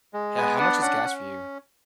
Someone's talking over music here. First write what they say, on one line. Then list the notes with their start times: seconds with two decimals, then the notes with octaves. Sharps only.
Ho how much is gas for you?
0.13 G#3
0.37 B3 G#5
0.59 D4 F#5
0.82 C#4 F#5
1.05 C#4